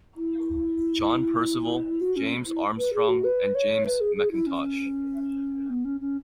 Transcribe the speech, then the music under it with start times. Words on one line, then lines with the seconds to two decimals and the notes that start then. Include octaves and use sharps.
John Percival, James Armstrong, and James McIntosh.
0.17 E4
2.01 F#4
2.16 C#4
2.47 E4
2.78 B4
2.94 G#4
3.08 F#4
3.24 B4
3.55 C#5
3.86 B4
4.01 G#4
4.16 G#4
4.31 E4
4.47 C#4
5.70 B3
5.85 C#4
6.01 C#4